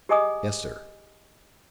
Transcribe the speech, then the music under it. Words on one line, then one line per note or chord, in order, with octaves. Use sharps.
"Yes, sir."
G4 G#4 D#5 G#5 D6 D#6